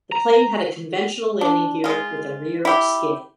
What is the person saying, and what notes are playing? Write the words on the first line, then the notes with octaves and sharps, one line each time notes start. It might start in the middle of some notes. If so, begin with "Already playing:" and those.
The plane had a conventional landing gear, with a rear skid.
A#5
D4
G#3 F4
E4 G4